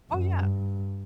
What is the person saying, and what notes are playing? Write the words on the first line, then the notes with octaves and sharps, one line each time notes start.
Oh, yeah.
F#2
G2